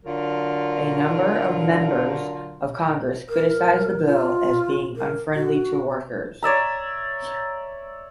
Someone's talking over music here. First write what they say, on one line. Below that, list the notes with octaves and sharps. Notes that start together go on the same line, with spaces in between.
A number of members of Congress criticized the bill as being unfriendly to workers.
D3 F#3 F4 A#4
A#4
F4
A#4
F#4
C#5 D5 E5 A#5